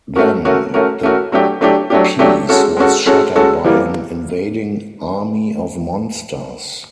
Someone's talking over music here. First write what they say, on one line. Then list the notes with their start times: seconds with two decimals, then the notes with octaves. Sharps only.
Then, the peace was shattered by an invading army of monsters.
0.16 A3 C#4 F#4 A#4
0.45 A3 C#4 F#4 A#4
0.74 A3 C#4 F#4 A#4
1.03 A3 C#4 F#4 A#4
1.32 F#3 A3 D4 G4
1.61 F#3 A3 D4 G4
1.90 F#3 A3 D4 G4
2.19 F#3 A3 D4 G4
2.49 G#3 C#4 F#4 A4
2.77 G#3 C#4 F#4 A4
3.06 G#3 C#4 F#4 A4
3.36 G#3 C#4 F#4 A4
3.65 E3 G3 A#3